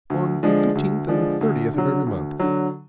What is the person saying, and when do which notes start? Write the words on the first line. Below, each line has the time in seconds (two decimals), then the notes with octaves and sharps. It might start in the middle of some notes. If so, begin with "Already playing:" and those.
"On the fifteenth and thirtieth of every month."
0.10 D2
0.43 D3 F3 G#3 D4
0.75 D2
1.08 D3 F3 G#3 D4
1.41 D2
1.74 D3 F#3
2.07 D2
2.40 D3 F#3